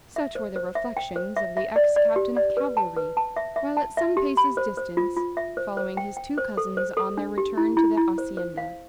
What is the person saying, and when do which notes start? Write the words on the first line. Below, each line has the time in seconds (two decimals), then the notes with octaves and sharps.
Such were the reflections of the ex-captain of cavalry, while at some paces distance following his two cousins on their return to the hacienda.
0.16 E5
0.35 C5
0.56 C5
0.75 E5
0.97 G5
1.16 C5
1.37 E5
1.57 E5
1.76 D5
1.96 D5
2.16 G4
2.37 D5
2.57 B4
2.77 A5
2.97 B4
3.17 A5
3.36 E5
3.56 E5
3.77 A5
3.97 E5
4.17 G4
4.37 B5
4.57 C5
4.77 C5
4.97 F4
5.17 F4
5.37 E5
5.57 C5
5.77 C5
5.97 G5
6.17 G5
6.38 C5
6.57 A4
6.77 C5
6.97 A4
7.18 D4
7.38 G4
7.57 E4
7.77 E4
7.97 E4
8.18 C5
8.37 C5
8.58 F5